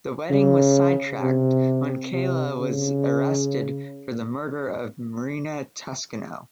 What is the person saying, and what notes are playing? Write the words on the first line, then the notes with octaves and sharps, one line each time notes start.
The wedding was sidetracked when Kayla was arrested for the murder of Marina Toscano.
C#3
C3
C3
C#3